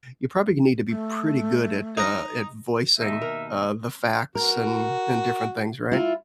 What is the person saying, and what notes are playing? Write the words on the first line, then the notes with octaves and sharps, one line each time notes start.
you probably need to be pretty good at, uh, at voicing, uh, the facts and and different things, right?
A3
D#4 A#5
D#2 B2 D#4 E5
A#4
F#4 A#4
E4 F4